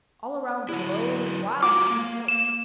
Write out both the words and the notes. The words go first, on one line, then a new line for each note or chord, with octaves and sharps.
All around were low, wild-looking hills.
F#3 E4
F4 F#4 A#5 D6
A#3
E7